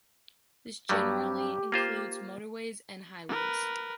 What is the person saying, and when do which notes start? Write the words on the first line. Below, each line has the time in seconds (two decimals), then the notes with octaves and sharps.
This generally includes motorways and highways.
0.89 G2 F#3 G3 G4
1.72 A#3 F4 C5
3.29 A#4 B4